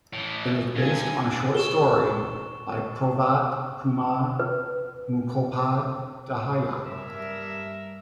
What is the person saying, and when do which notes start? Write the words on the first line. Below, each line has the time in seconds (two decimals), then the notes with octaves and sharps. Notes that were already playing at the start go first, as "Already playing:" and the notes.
It is based on a short story by Provatkumar Mukhopadhyay.
0.13 A2 E3
0.76 G2 G#5
1.55 F#4 G#4 C#6 E7 G7
4.39 B4
6.85 G2 G3 A#4 E5